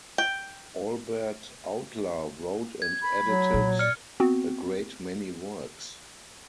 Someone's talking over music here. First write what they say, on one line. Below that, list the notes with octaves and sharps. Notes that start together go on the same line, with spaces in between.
Albert Outler wrote and edited a great many works.
G5
G#6
B5
F#3
A#2
D5 F6 C#7
B3 C4 F#4